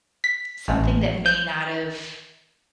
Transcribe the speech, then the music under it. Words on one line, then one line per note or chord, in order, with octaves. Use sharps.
something that may not have
B6
A1
G6